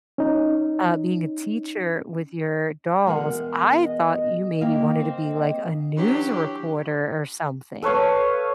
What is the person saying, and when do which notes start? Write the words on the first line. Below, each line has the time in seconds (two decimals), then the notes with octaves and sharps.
uh, being a teacher with your dolls, I thought you maybe wanted to be, like, a news reporter or something.
0.18 C#4 D#4
3.07 E2 B2 G#3 A#4 F#5
3.84 D#5
4.61 A#3 E4 G4 F5
5.00 C4
5.97 E3 F#3 D4 G4
7.82 A4 B4 C#5 F5